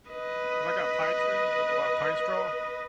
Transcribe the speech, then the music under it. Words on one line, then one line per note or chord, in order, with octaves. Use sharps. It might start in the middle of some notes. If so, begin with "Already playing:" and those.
'cause I got pine trees with a lot of pine straw
B4 D#5